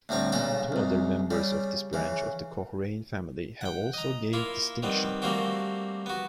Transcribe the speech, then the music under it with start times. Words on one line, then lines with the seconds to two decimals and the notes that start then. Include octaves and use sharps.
Two other members of this branch of the Cochrane family have also gained distinction.
0.09 D2 A2 G3 C4 A#5
0.32 B1 A#2 C#3 F#4 A4 A#5
0.72 C2 G#2
1.31 C#3 G3
1.93 C#3 E3
3.61 F#5 G5
3.93 D#5 A#5
4.33 A#3 E4 F4
4.83 D#3 G3 B3 C4
5.22 G3 A3 A#3 C4 F#4 G4
6.06 B3 F#4